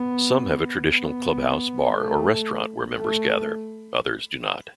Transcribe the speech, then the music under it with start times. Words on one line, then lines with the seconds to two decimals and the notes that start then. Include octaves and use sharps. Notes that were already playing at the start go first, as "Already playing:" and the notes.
Some have a traditional clubhouse, bar, or restaurant where members gather; others do not.
Already playing: B3
0.91 B3
1.94 A3
2.97 A3